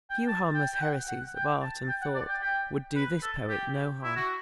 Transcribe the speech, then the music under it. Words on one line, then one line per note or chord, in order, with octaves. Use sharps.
A few harmless heresies of art and thought would do this poet no harm.
G5
A5
G5
G5
F#5
F#5
G5
A5
G5
F#5
D5
G5
G5
B4
A4
G4
E4
F#4